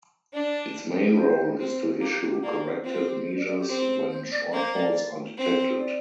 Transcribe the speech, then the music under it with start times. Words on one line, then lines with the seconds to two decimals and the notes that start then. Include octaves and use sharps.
Its main role is to issue corrective measures when shortfalls are detected.
0.33 D4 D5
1.17 C5
1.59 C4
2.01 A#3 G4
2.11 G4
2.22 F4
2.32 G4
2.43 A#3 D5
2.64 C5
2.84 C4 F4
3.06 G4
3.26 C5
3.37 D5
3.47 D5
3.59 G4
3.68 C4
4.11 C5
4.31 D5
4.53 A#3 C5
4.74 D5
5.37 C4
5.79 D5